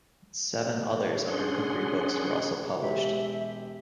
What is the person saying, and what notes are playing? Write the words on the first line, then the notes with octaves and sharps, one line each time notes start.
Seven others of her cookery books were also published.
C#4 D4 G#4 F#5 C6
E1 G#3 G4 E5